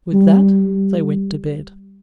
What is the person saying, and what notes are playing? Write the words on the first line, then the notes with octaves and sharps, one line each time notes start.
With that they went to bed.
G3